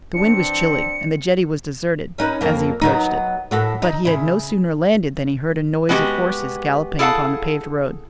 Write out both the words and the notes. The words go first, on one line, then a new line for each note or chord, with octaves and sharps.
The wind was chilly and the jetty was deserted, as he approached it; but he had no sooner landed than he heard a noise of horses galloping upon the paved road.
E3 C4 D4 C#7
C#4 D#4 B4
F2 A#3
F#3 B3 D#4
A2 F#4 A4
D#4
C#3 E4
G#3 B3 C#4 D#4 F#4 G4
E4 G#4 A4 F5 F#5 A5